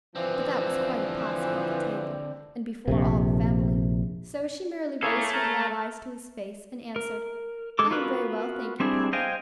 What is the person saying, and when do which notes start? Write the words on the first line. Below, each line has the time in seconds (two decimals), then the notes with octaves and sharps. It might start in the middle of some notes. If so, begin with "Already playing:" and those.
But that was quite impossible at the table, and before all the family; so she merely raised her glad eyes to his face and answered, "I am very well, thank you, papa."
0.16 D3 E3 F3 C4
2.88 A#1 F2 C3
5.03 A3 A#3 E4 G#4 A4 C#5
5.32 A#4 A5 A#5
6.96 A#4
7.79 G#3 A4 D6
7.91 B3 F4 F#4 A#4 B4
8.80 G3 C4 D4 E4 G#4
9.13 C5 D#5 F5 G5 G#5